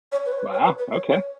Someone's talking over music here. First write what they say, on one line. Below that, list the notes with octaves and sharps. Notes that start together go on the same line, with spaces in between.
Wow, okay.
C#5
B4
C#5
B4
C#5
B4
B4
C#5
C#5